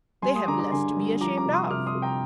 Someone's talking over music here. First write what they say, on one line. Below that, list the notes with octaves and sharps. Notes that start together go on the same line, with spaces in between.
They have less to be ashamed of.
G3 G#5 C6
C6 D#6
D3 A#5 D6
A#5 D6
D3 G#5 C6
G3
F3 A#5 D6
A#5 D6
C3
C6 D#6
C3 D6 F6
C6 D#6
C3
G5 A#5